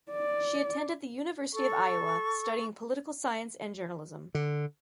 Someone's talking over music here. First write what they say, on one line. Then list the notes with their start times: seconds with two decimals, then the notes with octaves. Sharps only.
She attended the University of Iowa studying political science and journalism.
0.11 D5
1.53 A4 C#6
4.35 D3